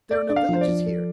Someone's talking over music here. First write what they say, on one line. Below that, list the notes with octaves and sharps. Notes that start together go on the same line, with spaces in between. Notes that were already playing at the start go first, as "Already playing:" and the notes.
There are no villages here?
A4 D5
D4 D5
F5
F3 C5
D5
F3
A4